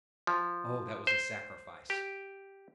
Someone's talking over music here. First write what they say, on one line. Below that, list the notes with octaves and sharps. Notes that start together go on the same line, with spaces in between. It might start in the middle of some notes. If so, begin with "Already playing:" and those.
Oh, that was a sacrifice!
F3
C5
G4